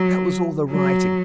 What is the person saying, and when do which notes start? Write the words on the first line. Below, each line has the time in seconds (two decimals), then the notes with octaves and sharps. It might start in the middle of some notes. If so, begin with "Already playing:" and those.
That was all the writing.
Already playing: F#3
0.71 F#3